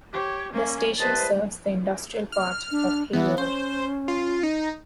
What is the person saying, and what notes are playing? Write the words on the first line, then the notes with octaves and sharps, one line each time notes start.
The station serves the industrial part of Hayward.
G4 C#5
A#3 C#4
C2 B4 C5 D#5 A5
F6
D4
E3 B3
C#4 C5
F4
D#4